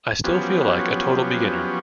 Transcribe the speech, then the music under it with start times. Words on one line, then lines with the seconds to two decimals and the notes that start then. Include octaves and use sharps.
I still feel like a total beginner.
0.24 F3 F#3 B3 C#4 G4